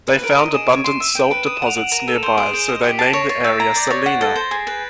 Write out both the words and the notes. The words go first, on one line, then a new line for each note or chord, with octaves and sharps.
They found abundant salt deposits nearby so they named the area "Salina".
B4
A#4 D7
D#5 D#7
G#4 E7
C#5
C6
E5
G5 D7
B4 D7
D#6 D#7
E7
F#5 F7
F#5 F#7
A#4 F7
A4 E7
E7
C5 D#7
G#4 D7
C5 D7
D#5
G4 C#7
B6
A5 C7
C#5 A#6
C#5 A6
E5 G6
A6
A#5 G#6
D5 A#6
C#5 A6
F#5
A4
C5
G#4
B4